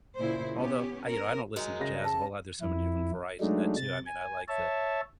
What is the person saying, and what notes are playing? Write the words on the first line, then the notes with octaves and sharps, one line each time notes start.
Although, I you know, I don't listen to jazz a whole lot, there's so many different varieties of that too, I mean, I like the
A#2 C#3 E4 C5
B3 C#4 G4
A#4
D#3 F#3 G#3
C#3 A#6
A5
F2 E4
F#3 G#3 A3 D4 D#4
C3 A6
G#5
C#5 E5 A5